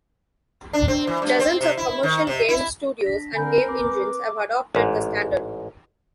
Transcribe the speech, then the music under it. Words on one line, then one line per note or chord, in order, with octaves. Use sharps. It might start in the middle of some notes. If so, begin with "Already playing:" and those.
Dozens of commercial game studios and game engines have adopted the standard.
D4
C4
E3
G2
C4
C3
E4
D#3
C3
E4
D4 A#6 B6
D3 C4 A#4 G#5 B5 G6
B4 D6
A1 G#2